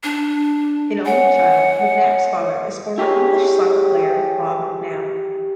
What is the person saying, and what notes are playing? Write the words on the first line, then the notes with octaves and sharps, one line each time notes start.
An only child, McNab's father is former English soccer player Bob McNab.
D4
C#5 F#5 G#5
E4 G4 G#4 C#5